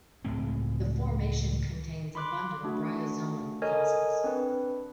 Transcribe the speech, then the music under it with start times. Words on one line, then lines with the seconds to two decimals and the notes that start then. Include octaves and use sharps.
The formation contains abundant bryozoan fossils.
0.25 C#2 A2 G#3 C4
2.15 B5 C6 D6 F#6
2.63 A3 D4 F#4
3.62 A4 A#4 C#5 D#5 G#5
4.24 C4 D4 B4